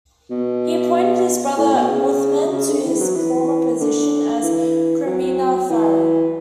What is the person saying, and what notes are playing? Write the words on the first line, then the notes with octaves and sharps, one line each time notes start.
He appointed his brother Uthman to his former position as Kurmina-fari.
B2
A2
B2
C#3
C#3
D3
E3
F#3
E3
D3
E3
F#3
E3